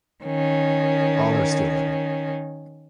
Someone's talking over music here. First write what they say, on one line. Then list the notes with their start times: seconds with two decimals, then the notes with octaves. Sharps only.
All are still living.
0.24 D#3 C#4